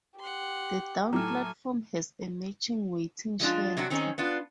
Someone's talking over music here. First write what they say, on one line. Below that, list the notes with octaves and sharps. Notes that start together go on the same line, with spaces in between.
The down platform has a matching waiting shelter.
G4 F#5 C6
A2 F#3 A4 G#5 A#5 D6 F6
F3 G#3 D4 F4
C3 F#3 D4 F#4
D#3 C4 C#4 D#4 G#4
B3 D4 F4